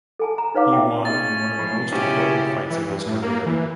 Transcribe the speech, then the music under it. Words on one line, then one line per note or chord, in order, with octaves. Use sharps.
He won in one of the most important fights of his career.
A4 G#5 A5
A#5
D#4 B4 C#5 F5 D6
E5 G5
C#4 D#4 G#4 A6
A2 F3
B1 C#3 F3 C#4 E4 G4
E3
G2
A2
A#3
E3